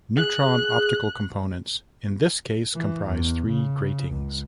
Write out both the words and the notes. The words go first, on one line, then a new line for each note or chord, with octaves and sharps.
Neutron-optical components in this case comprise three gratings.
G#4 F#6
E3
E2
C#3
C#2